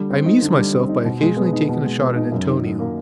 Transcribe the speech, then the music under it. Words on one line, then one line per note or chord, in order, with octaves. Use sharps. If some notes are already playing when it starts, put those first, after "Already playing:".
I amused myself by occasionally taking a shot at Antonio.
Already playing: D3 G3
C4
D#4
D3
G3
C4
D#4
B2
G#3
B3
D#4
B2
G#3
B3
D#4
F#2
D#3
F#3
A#3